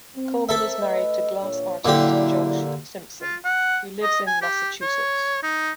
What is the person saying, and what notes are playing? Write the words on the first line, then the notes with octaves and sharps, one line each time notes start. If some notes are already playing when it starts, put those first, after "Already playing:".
Coleman is married to glass artist Josh Simpson who lives in Massachusetts.
C4
C4 A4 A#4 C5 E5
A3 B4 D#5
A#2 D4 C#5
A#2 D3 F#3 E4 G4
F4
F#5
D#5
G#5
G4
C#5
D#4